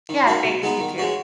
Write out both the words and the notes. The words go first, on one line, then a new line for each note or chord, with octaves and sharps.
Yeah, thanks, you too.
D#3
A#3 D#4 F#4
B2
G#3 B3 D#4
D#3
G#3 C#4 F#4